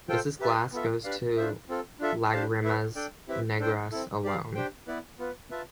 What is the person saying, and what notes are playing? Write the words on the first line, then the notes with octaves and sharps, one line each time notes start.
Mrs. Glass goes to Lagrimas Negras alone.
F4 A4 C5 G5
G4 B4 E5 A5
B3 F4 A4 E5
D4 G4 B4 D5 F5
D4 F4 C5 E5
C4 F4 A4
D4 F4 A4 E5
D4 G4 C5 F5 A5
A3 E4 B4 E5
D4 A4 D5 G5
C4 E4 G4 B4 E5
D4 A4 C5 G5
C4 E4 A4
G4 D5 F5
D4 G4 C5 G5
B3 E4 B4 D5
B3 F4 B4
F4 B4 E5 A5